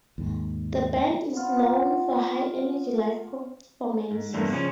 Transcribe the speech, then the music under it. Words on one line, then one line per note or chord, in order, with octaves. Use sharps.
The band is known for high energy live performances.
D#2 G#2
B3 F4
G#2
E2 G2 D3 A3 A#3
C#3 F3 C#4